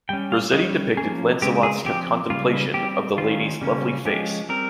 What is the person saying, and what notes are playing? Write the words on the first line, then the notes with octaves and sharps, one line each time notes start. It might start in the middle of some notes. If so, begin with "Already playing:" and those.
Rossetti depicted Lancelot's contemplation of the Lady's "lovely face".
G3 C#4 G5
F5
G3 C#4 D#5
F3 A#3 C#4 G#4
C#3 G#3 C4 G4
G#4
F3 C4 G4
C#3 G3 A#3 F4
G3 C4 G4
D#3 G3 C#4 F4
C#3 G3 A#3 C#4
F3 G#3 C#4 G4
G3 C4 A#4